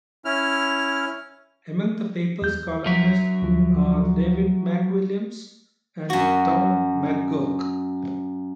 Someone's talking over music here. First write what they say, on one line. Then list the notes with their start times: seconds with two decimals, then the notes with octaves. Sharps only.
Among the paper's columnists are David McWilliams and Tom McGurk.
0.25 C#4 E4 F6
2.42 E2 G6
2.86 F#3 E5
3.42 D2 F3
6.10 F#2 F#4